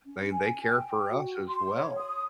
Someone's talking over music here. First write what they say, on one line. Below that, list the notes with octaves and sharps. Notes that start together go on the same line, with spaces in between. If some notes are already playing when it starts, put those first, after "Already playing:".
They they care for us as well.
C#4
G#5
G5
F#4
C6
C#5
D#6